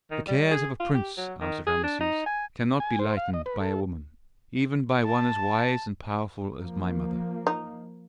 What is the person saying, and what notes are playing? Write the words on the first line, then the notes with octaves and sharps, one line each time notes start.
"The cares of a prince," answered Rameses, "cannot be lightened by a woman, even by one as wise and powerful as my mother."
D#3
G3
G#4
F4
G4
F#3
D#3
G#4
D4
D#4
G#5
G#5
C5
F5
D#5
B4
A4
A5
F3 A#3
D#4